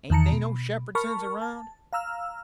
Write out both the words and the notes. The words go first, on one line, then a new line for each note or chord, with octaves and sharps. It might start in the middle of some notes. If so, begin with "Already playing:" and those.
"Ain't they no Shepherdsons around?"
E2 D#3 A5 A#5 C#7
B2
A#4 A5 B5 C#6 F6
A5
F5 A#5 E6 F6